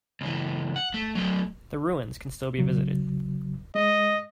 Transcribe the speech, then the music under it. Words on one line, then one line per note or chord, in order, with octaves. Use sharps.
The ruins can still be visited.
C#2 E3
F#5
A3
F#3 A3
E2 C#3 F#3
G#3 D#5